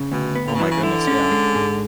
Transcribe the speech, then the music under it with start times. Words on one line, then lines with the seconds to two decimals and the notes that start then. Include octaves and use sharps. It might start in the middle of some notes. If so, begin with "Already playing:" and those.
Oh, my goodness, yeah.
Already playing: C#3
0.12 D2 B2
0.35 B3
0.47 D3
0.55 C#3
0.60 B2 E3
0.71 C#3
0.83 D3 E4
1.07 C#4
1.31 G#3
1.55 G#2